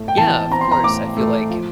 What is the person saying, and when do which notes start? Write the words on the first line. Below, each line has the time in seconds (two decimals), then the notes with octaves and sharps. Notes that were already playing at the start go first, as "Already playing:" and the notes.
Yeah, of course. I feel like
Already playing: A2 A3
0.08 G5
0.18 E3 A5
0.50 C4 A#5
0.61 C6
0.71 A#5
0.84 A2 D6
1.17 A3
1.50 F3